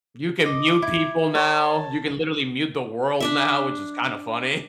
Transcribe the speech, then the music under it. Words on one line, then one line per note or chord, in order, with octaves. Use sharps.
You can mute people now. You can literally mute the world now, which is kind of funny.
D#5 D6
E4
C#5 A5
D4 D5 E5